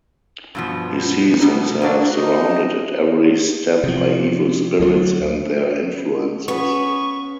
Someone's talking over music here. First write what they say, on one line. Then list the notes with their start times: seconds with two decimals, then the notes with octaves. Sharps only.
He sees himself surrounded at every step by evil spirits and their influences.
0.55 G2 B2 F3
1.40 F2 B2 D#4
1.82 A#3 D4 F#4
2.16 D#4 D#5
3.83 C3 F3
4.80 D2 F#3
6.48 B3 C#4 B4 C#5 C#6